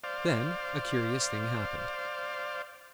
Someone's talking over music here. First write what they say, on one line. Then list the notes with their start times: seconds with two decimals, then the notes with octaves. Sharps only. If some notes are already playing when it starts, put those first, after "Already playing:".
Then a curious thing happened.
0.04 C5 D5 F5